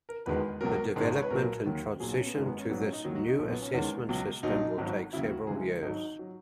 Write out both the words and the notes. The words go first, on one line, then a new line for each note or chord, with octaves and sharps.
The development and transition to this new assessment system will take several years.
A#4
E1 E2 D#3 G#3 B4
C#2 B2 F#3 A#4
G#1 G#2 D#3 G#3
C#5
B4
B1 A#2 F#3 A#4
D#2 D#3 F#3
B1 A#2 F#3 G#4
F#4
C#4
B3
G#1 F#2 D#3 G#3 C#4
B3
C#4
A#1 G#2 F#3 B3
C#4
D#4
D#2 D#3 F#3 D#4
F#4
D#4
B1 A#2 F#3 C#4
B3
C#4
E2 D#3 G#3
C#2 B2 F#3
B1 A#2 F#3 D#4
G#1 G#2 F#3
D#2 C#3 F#3 E4
F#4
C#2 C#3 E3 G#3 G#4
G#1 G#2 F#3 D#4
F#3